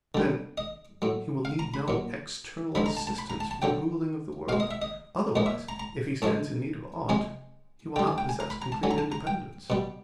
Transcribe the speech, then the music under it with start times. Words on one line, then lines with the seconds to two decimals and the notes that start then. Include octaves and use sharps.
'Then, He will need no external assistance for the ruling of the world. Otherwise, if He stands in need of aught, He will not possess complete independence.'
0.15 D3 G3
0.58 D#5
1.02 A2 F#3
1.45 F5
1.59 A#5
1.74 B5
1.88 A#2 F#3
2.75 D3 F3 G#3 B5
2.86 A#5
2.97 A5
3.07 A5
3.18 B5
3.30 A#5
3.40 A5
3.51 A5
3.62 D3 F#3 G5
4.49 B2 G#3 F5
4.60 D#5
4.71 E5
4.82 D#5
5.36 A#2 F3 G#3 D#5
5.46 E5
5.69 A#5
5.80 A#5
6.22 A2 F3 G#3 A5
7.09 C3 F3 G#3 G#5
7.96 D3 G3 G5
8.07 G#5
8.18 G5
8.29 G#5
8.40 A#5
8.50 B5
8.62 A#5
8.72 A5
8.83 D3 F#3 G#5
8.91 A#5
8.98 A5
9.12 A#5
9.27 G5
9.70 B2 G3